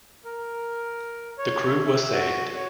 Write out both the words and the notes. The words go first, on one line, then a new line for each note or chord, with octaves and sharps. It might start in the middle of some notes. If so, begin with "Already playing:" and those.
The crew was saved.
A#4
C#5
E5
F#4
C#5